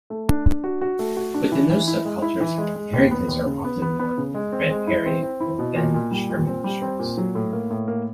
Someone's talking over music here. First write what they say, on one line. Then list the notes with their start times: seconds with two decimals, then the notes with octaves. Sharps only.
Within those subcultures, Harringtons are often worn with Fred Perry or Ben Sherman shirts.
0.10 A3
0.29 D4
0.46 D4
0.64 F#4
0.81 F#4
0.99 A3
1.17 F#4
1.34 D4
1.52 E3
1.70 E3
1.88 E4
2.05 G#3
2.22 E4
2.40 E3
2.58 G#3
2.75 G#3
2.93 D#2
3.11 B3
3.28 D#2
3.46 C#3
3.64 B3
3.82 B3
3.99 B3
4.18 C#3
4.34 G#3
4.52 C4
4.70 G#3
4.87 E4
5.05 C4
5.23 C4
5.40 E4
5.59 B2
5.76 A#2
5.94 A#2
6.11 G3
6.29 A#2
6.47 C4
6.64 G3
6.82 C4
6.99 A#2
7.17 F#3
7.35 A2
7.53 A#3
7.71 A2
7.88 A#3